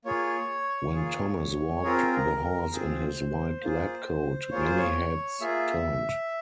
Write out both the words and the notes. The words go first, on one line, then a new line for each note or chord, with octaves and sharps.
When Thomas walked the halls in his white lab coat, many heads turned.
A#3 F4 G#4 C#5
A#3 F4 G#4
C4 F4 G#4 A#4
A#4
A#4
A#4
C4 F4 G#4 C5
A#3 F4 G#4
A#3 F4 G#4 C#5
C5
C#5
A#3 F4 G#4 E5